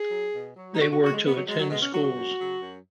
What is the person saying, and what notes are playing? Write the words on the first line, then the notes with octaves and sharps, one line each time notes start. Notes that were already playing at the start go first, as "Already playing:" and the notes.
They were to attend schools.
Already playing: G#4
F#3
B2
F#3
D#4
B2 F#4
F#4
F#3 F#4
G#3
B2 B3
F#3
F#3 G#3
F#3
B2 G#3
C#4
F#3 F#4
F#4
F#2
C#3 F#3
F#2